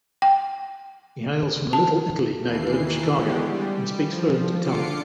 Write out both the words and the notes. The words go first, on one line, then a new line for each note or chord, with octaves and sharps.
He hails from the Little Italy neighborhood of Chicago and speaks fluent Italian.
G5
A5
D#2 E3 C7
D3 E3 G#3 B3 G4
G3
F3
D3 F4 D6 C7 C#7